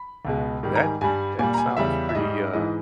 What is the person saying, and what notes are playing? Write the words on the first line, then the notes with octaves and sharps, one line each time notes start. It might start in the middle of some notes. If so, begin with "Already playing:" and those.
that that sounds pretty, uh
Already playing: B5
C#2 B2 G#3
G#2 D#3 G3
A#5
G#5
G2 G3 G#5
A#2 G3 G#5
A#5
G#5
E2 C#3 G3 E5
E5
G#2 G3 D#5
G#2 E3 G#3 D#5